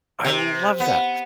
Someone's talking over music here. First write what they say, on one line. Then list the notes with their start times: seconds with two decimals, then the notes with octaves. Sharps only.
I love that!
0.25 C3
0.80 B3